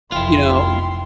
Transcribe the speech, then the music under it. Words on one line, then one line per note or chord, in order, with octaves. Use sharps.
you know?
F1 B1 E4 F4 G5 C6